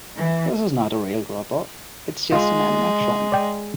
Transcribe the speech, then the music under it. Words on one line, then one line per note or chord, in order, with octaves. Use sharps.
This is not a real robot, it's just an animatron.
E3
G#3 F4
D5 G5